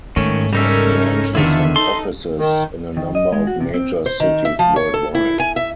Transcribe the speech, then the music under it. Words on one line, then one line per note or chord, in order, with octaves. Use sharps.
It has branches and offices in a number of major cities worldwide.
G#2 D#3 A3 C#4 C#5
C#3 G3 C#4 D#4 A4 A#4 E5
E2 D3 D#3 E4 F4 A4 E5
D#4 A4 C6
D#3
D#3
D#5
G#3
F#4
C3
C4
C5
D#3
E5
F3
C#5
A4
E4
G#5
E5